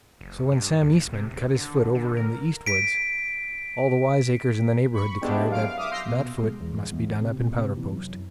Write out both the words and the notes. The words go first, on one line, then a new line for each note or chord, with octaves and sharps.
So when Sam Eastman cut his foot over in the "east woods," all the wiseacres in the neighborhood declared that that foot must be done up in powder-post.
F#1
G2
C#2
A#1
C3
D#1
D3
D3
A#4
B6 D7
B5 C#6
G3 G#3 B3 D4 E4 G4
F#2 F5 F6 D7
F5
E5 D6 D#6 F6
C6 E6 F6 G6 A#6 C7
B2
G#3
E2
G#2
E2
A1
C3
A#2
C3
E3
F#2